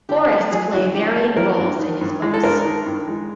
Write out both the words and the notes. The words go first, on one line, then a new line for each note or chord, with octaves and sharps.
Forests play varying roles in his books.
D3 G4
A3 A4
F#3 G#4
D2 F#4
D3 G4
A3 A4
F#3 A#4
G2
D#3
G2
G#3
A4
G2 A#4
D#3
G2
G#3